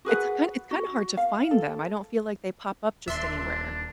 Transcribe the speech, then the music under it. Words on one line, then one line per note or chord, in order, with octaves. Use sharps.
It's kind it's kinda hard to find them. I don't feel like they pop up just anywhere.
F#4 G#4 B4 F#5
F#4
F5
A4
D#1 D4 E5 C6